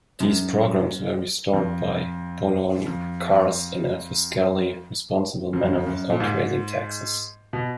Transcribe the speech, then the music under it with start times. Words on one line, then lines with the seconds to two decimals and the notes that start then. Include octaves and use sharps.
These programs were restored by Poloncarz in a fiscally responsible manner without raising taxes.
0.20 F#2
1.53 F2
2.87 F2
5.53 F2
5.62 F#2
5.73 F2
5.87 F#2
6.10 A#2
6.20 G#2
7.53 B2